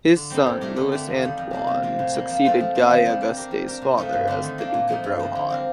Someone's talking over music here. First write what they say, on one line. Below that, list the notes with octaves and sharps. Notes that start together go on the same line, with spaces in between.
His son Louis Antoine succeeded Guy Auguste's father as the Duke of Rohan.
D3
G3 C4 D#4 A4
A2
A3 D4 G4 A#4
D3
A3 D4 G4
F2
D#3 G3
F2
C3 G3 A#3
C3
F3 C4
A2
G3 A#3
F3
A3 C4 F4 A4
F3
C4 F4 A4
D#3
G3 D4
G3
C4 G4 A#4
G3
D4 G4 A#4
C3
F3 A3 D#4 A4
G2
D3 A3 C4
D#3
A#3 D4
A#2
F3 A3 D#4
G2
F3 A#3
D3
F3 C4 G4 A#4